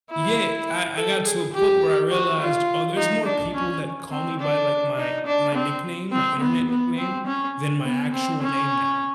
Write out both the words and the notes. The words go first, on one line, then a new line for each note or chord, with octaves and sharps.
Yeah. I I got to a point where I realized, oh, there's more people that call me by, like, my my nickname, my Internet nickname than my actual name now.
E4
A4
G#4
G4
F#4
F4
D#4
D4
C#4
C4
D4
D#4
D4
C4
C4
B3
B3
C4
C#4
B3
C4
C#4